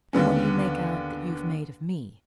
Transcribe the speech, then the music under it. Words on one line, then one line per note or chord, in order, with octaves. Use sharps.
"And what do you make out that you've made of me?"
D#2 D3 B3 C#4